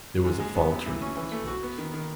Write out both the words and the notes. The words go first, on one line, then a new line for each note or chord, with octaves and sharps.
There was a faltering in his voice.
G#2
G#3
B3
F#2
E3
C#4
E3
A3
F#4
B3
D#3
D#3